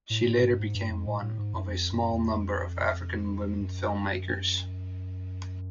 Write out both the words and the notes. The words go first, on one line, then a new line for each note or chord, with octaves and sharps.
She later became one of a small number of African women film makers.
A2
A2
G#2
G2
G#2
G2
F2
A2
A2
G#2
F#2
F2
F#2
E2
F2
F#2